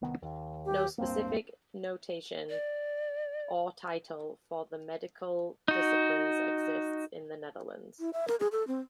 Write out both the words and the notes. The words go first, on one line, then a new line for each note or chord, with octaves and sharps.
No specific notation or title for the medical disciplines exists in the Netherlands.
C2 D#3 B3
D#2
G4
D1 G2 A#3 C4
D5
D#4 F#4
E4
E5
A#4
G#4
A4
C4